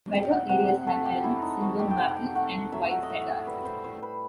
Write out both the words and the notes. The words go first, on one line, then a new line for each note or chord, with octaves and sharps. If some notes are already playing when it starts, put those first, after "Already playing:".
Wetter areas have elm, silver maple and white cedar.
C3 G5
F#5
C3 F#5
F#5
A3 A4
G4
F#3 E4
D#4
C3 F#4
G4
G5
C3 F#5
F#5
G5
A3 F#5
F#3 E5
F#5
D#5
A2 E5
G3 B4
C5
A2 C5
B4